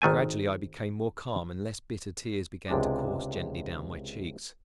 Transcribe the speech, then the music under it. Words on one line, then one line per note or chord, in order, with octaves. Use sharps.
Gradually I became more calm and less bitter tears began to course gently down my cheeks.
G#1 D#3 A3 G#5
C#2 C3 G#3 D4 D5